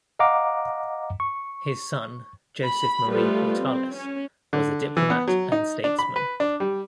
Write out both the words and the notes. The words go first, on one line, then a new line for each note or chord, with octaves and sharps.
His son, Joseph Marie Portalis, was a diplomat and statesman.
D#5 F5 F#5 A#5 D6
C#6
B5
F3 G3 A3 F4 A4 B4
C4
C#4
D3
E3
B3
F#3
D#4
D4
B5
B4
D4
G3